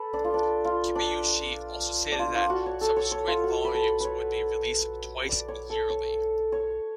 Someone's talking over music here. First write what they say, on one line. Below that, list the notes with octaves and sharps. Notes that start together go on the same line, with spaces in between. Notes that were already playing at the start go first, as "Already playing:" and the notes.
Kibuishi also stated that subsequent volumes would be released twice-yearly.
Already playing: A4 B4
D4
F4
D4
F4
D4
D4
F4
F4
F#4
C#5
A4
C#5
C#5
F4
F#4
B4
A4
B4 C#5
D5
C#5
A4
C#5
C#5